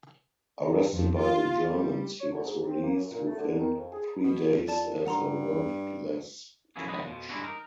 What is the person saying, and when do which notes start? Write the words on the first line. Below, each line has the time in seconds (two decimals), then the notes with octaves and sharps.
Arrested by the Germans, he was released within three days as a worthless catch.
0.61 D#3
0.92 F2
1.21 F4
1.67 G3
2.20 C#5
2.32 D3
2.43 G#2
2.67 C4
2.82 A#3
2.94 F#2
3.10 A#2
3.25 A3
3.37 D3
3.58 D#3
3.76 F2
3.91 G#4
4.24 B2
4.68 F2 D5 A5 E7
5.06 G2 F#5 A#5 C6
6.76 E3 F3 C#4 E4 F#4 G#4
6.87 F3 G#3 B4 D#5
7.05 F2 B2 F3
7.29 G2 G#3 D4 E4 F#4
7.44 D#4 A#4